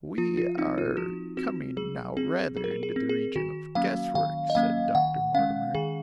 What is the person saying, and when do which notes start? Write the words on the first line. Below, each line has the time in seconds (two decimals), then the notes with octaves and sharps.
"We are coming now rather into the region of guesswork," said Dr. Mortimer.
0.18 F3 F4
0.37 F4
0.57 C4 D#4
0.78 F4
0.97 F3 F#4
1.37 C4 F#4
1.77 F#3 G#4
2.17 C4 G#4
2.57 F#3 G#4
2.64 A#4
2.71 G#4
2.83 G#4
2.96 C4
3.09 G#4
3.36 D#3 F#4
3.75 F#3 A#3 C#4 F5
4.15 D#3 F5
4.50 D#5
4.55 F#3 A#3 C#4 F5
4.95 D#3 F#5
5.35 G#3 C#4 F5
5.75 D#3 G#4